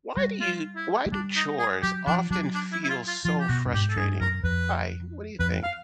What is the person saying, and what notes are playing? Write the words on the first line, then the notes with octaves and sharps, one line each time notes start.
why do you why do chores often feel so frustrating? Why? What do you think?
G3 F#4
F4
E4
G#3
G3 D4
D#4
G#4
F#3 G4
F3 D4
F#3 D4
D4
E4
E4
F4
F4
F3 F4
G4
B2 F#4
G2
G#2 G4
A4
G2 G#4
F#2 A#4
F2 B4
F2 B4
F5